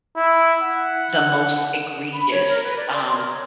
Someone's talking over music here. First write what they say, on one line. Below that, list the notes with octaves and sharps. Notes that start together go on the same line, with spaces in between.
the most egregious, um,
E4
F#5
B5
C#5
A#4
B4
D5
C6
C6
A#4
C#5